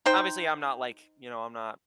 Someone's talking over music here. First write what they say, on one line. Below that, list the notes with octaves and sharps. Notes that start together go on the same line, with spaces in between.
Obviously, I'm not like, you know, I'm not
D#4 C5 G5